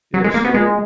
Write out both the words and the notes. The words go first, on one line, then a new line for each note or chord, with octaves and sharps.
Yeah, so
F#3
G#3
A#3
B3
G#3